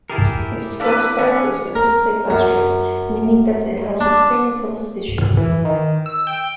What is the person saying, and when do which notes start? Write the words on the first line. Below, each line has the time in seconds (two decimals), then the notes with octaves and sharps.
It is classified as an S-type asteroid, meaning that it has a stony composition.
0.10 E4 G4 G#4 A#4 A5
0.80 D4 A4 B4 F5 D6 B6
1.19 B3 C#4 D4 C5
1.75 A#4
2.30 F#2
4.01 D4
5.37 E3
5.65 D#3
6.06 E6
6.27 G5